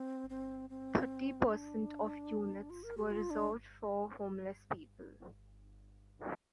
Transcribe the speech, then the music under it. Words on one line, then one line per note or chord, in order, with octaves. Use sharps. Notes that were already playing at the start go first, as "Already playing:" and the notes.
Thirty percent of units were reserved for homeless people.
Already playing: C4
C4
C4
D4
F4
A#4
G4
F4
D4